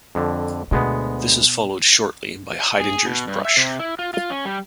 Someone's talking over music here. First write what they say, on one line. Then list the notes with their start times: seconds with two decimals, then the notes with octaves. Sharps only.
This is followed shortly by Haidinger's brush.
0.15 F2 D3
0.71 D2 B2 G#3 B3
2.80 G#4
3.06 B2
3.27 G2
3.45 E5
3.57 C3
3.79 E4
3.99 F4
4.14 F4
4.30 C#4
4.45 G3